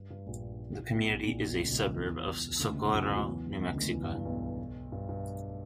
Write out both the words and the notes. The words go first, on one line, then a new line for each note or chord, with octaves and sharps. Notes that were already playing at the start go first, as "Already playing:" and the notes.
The community is a suburb of Socorro, New Mexico.
Already playing: G2
G2
A#1 A#2
B1 B2
A#1 A#2
B1 B2
C#2 C#3
B1 B2
C#2 C#3
E2 E3
D2 D3
C#2 C#3
B1 B2
F#2 F#3
E2 E3
F#2 F#3
E2 E3
C#2 C#3
D2 D3
E2 E3
G2
G2
B1 B2
G2
G2